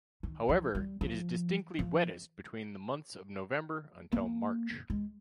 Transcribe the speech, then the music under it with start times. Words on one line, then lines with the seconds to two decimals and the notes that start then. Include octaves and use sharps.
However, it is distinctly wettest between the months of November until March.
0.23 D#3
0.49 F3
0.75 G3
1.01 F3
1.79 F3
4.12 A#3
4.90 G#3